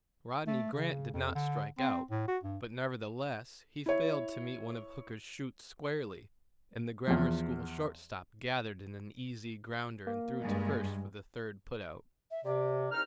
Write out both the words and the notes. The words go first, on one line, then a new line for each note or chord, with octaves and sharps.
Rodney Grant did not strike out, but, nevertheless, he failed to meet one of Hooker's shoots squarely, and the grammar school shortstop gathered in an easy grounder and threw to first for the third put-out.
A3
C#3
F2
D3
C4
A2
F#4
G2
E4 C#5
E2 F3
A#3
G2 G#3
E5
C3 D5
C2 D#4 F6